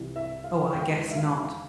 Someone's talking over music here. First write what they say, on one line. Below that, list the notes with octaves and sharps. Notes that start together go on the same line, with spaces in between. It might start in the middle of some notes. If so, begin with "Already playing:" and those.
Oh, I guess not.
Already playing: C2 C3 E3
E5
F5
E1 E2 E3 G5
E5
F5